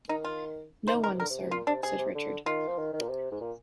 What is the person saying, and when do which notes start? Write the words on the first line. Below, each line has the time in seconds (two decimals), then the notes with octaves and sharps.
"No one, sir," said Richard.
0.09 D#3 D#4
0.24 F4
0.88 D#3 C5
1.04 D#3 A#4
1.13 C3
1.20 D3 A#4
1.30 C3
1.41 C3
1.51 A#2 F4
1.67 C3 D4
1.83 C3 G#4
1.99 C3
2.15 D3
2.46 D#3 F4
2.68 F3
2.78 D#3
2.93 D#3
3.02 A#2
3.10 C3
3.32 G#2
3.41 A#2